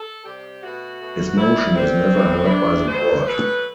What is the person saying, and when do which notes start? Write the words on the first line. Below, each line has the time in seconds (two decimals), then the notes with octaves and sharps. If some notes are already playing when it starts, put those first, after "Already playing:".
His motion is never heard by the board.
Already playing: A4
0.24 C3 G3 G4
0.61 B2 A3 F#4
1.00 B2 A3
1.38 C3 G3 E4
1.75 C3 G3 C4
2.13 C3 E3 A3
2.44 E4
2.50 C3 E3 A3 D4
2.88 B2 F#3 A3 C5
3.26 B2 F#3 A3 B4